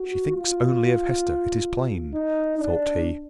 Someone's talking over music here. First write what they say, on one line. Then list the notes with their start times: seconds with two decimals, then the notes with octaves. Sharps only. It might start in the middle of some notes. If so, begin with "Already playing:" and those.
"She thinks only of Hester, it is plain," thought he.
Already playing: F#4
0.32 F4
2.14 D#4
2.58 D4